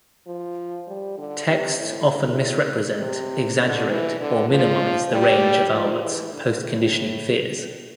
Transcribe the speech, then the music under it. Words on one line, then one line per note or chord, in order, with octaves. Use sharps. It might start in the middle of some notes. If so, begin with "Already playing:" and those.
Texts often misrepresent, exaggerate, or minimize the range of Albert's post-conditioning fears.
F3
G3
D3
C3
A2
A2
C3
D3
E3
D3
F3
G3
F3
E3
D3
A2